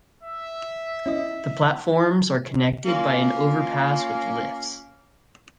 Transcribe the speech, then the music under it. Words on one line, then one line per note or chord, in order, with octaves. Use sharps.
The platforms are connected by an overpass with lifts.
E5
C#4 E4 D#5
A#3 C#4 F4